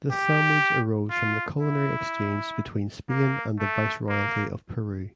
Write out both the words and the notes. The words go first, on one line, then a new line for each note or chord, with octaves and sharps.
This sandwich arose from the culinary exchange between Spain and the Viceroyalty of Peru.
G4
F4
E4
A#3
A3
A#3